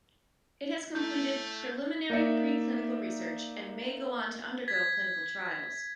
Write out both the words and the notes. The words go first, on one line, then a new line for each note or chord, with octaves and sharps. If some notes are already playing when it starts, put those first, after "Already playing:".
It has completed preliminary preclinical research and may go on to undergo clinical trials.
A3 E4 G6
A#3 D#4 D5 E5
G#6 A6 B6